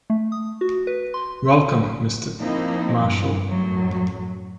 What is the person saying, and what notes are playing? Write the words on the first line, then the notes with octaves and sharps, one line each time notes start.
Welcome Mr. Marshall!
A3
D#6
F#4
B4
C6
F3 A#3 C4 D#4 E4
G2
F#2 A2 F#3